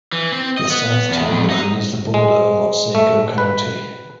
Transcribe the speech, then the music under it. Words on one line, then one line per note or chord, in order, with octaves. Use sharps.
The south town line is the border of Otsego County.
E3
C4
D#5
B3
E2
F2
D#4
G#3
A3
B4